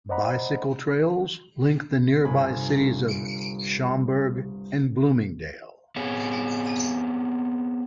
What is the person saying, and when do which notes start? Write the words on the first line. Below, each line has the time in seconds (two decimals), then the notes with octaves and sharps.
Bicycle trails link the nearby cities of Schaumburg and Bloomingdale.
0.09 C5 D5 D#5 F#5 A#5 B5
2.25 G1 C2 C3 G#5 B5
5.96 B3 C4 G#4 C#5